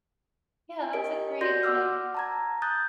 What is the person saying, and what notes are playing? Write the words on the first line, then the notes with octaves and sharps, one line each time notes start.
yeah, that's a great, like
G4 A#4 D#5 D7
F#4 D5 C6 G6 A#6
F#5 D6 E6 F6
A5 A#5 G#6
D#6 F#6 G6 A6